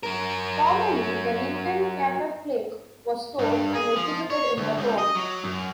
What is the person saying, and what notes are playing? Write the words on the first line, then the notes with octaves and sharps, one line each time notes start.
Formerly, the Lincoln Catafalque was stored and exhibited in the tomb.
F#3 A#4
G2
G#4
F3
C#5
D2
C#2
D#5
F#3
F#2